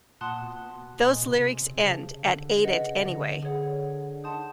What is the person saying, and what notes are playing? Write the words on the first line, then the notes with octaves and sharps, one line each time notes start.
Those lyrics end at Ate it anyway.
A#2 F#5 A5 C6 D#6 F#6
B2
B2
B2
B2
A#2 D#5 G#5 C6 D#6
C3
C#3
C3
C3
C3
C#3 G4 C5 F5 A5
D3
C#3 B4 D#5 F#5
C#3
D3
G#4 C#5 F#5
D#3 F#5 A5 C6 D#6 G6